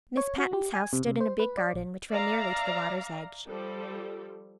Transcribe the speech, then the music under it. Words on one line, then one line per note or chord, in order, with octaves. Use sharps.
Miss Patten's house stood in a big garden which ran nearly to the water's edge.
C#5
F#4
G4
G#5
C3
C3
C5
B4
D5
A#1
D5 E5 F5 A#5
F3 G3 A4